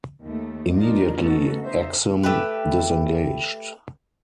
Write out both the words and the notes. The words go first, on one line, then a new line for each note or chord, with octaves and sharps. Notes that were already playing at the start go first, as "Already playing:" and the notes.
Immediately "Axum" disengaged.
D#2 A3
F3 D4 D#4 F4 A#4
A3 B3 C#4 D#4 F#4 A4
D#4 C5 E5
A3 G4 B4